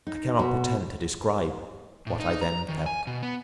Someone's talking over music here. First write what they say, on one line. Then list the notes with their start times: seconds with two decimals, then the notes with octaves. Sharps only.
I cannot pretend to describe what I then felt.
0.07 D#4
0.39 B2
2.07 A2
2.20 D#4
2.41 A#5
2.69 D#3
2.86 G#5
3.07 B2
3.23 B3